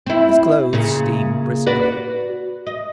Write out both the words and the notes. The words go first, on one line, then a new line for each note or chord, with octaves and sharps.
His clothes steamed briskly.
C4 E4
A#2 C#3
F#4 B4 D5
D#5